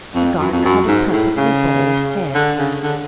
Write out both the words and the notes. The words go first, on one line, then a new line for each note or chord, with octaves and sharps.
The gardener had a perfectly bald head.
F2
F#2
F2
F#2
G#2
A2
C#3
D3
C#3
D3